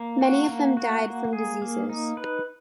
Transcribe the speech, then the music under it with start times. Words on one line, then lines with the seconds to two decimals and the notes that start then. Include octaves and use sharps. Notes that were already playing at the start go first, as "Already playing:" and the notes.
Many of them died from diseases.
Already playing: A#3
0.21 F#4
0.49 A#3
0.77 F#4
1.05 A#3
1.33 G#4
1.62 A#3
1.89 D#4
2.17 B4